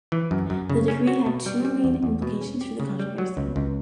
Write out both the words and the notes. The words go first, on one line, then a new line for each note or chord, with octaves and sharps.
The decree had two main implications for the controversy.
E3
F#2
F#2
C#3
C#4
F#4
B2
G3
G3
E2
E2
B2
C#4
G4
C#3
G3
F#3
C#2
C#2